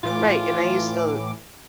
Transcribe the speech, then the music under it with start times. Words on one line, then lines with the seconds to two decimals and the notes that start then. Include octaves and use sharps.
Right, and I used to,
0.03 A2 E3 F4 D6